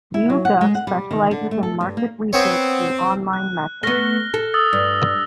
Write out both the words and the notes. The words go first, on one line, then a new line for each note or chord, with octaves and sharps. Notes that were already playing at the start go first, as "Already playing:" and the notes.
YouGov specialises in market research through online methods.
E4
F#3
F#5
G#3
F#5
G3
D#3
D3
A3
A4
G2
A#3
B3 C4 C#5
F#6
A3 B3 F6 A#6 G7
A4
D#6 E6 A6
G2